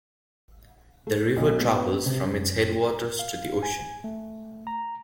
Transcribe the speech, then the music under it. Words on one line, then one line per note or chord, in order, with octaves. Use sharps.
The river travels from its headwaters to the ocean.
A3
B1
B3
C3
F#2
A#4
F5
G#5
A3
A#5